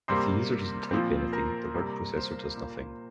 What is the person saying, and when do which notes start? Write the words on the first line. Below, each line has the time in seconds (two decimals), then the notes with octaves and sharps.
If the user doesn't type anything, the word processor does nothing.
0.08 C3 G3 A#3 C5 C6
0.91 A#2 F3 C4
1.33 A#4 A#5
1.74 C3 G3 A#3
2.16 C5
2.57 A#2 A#3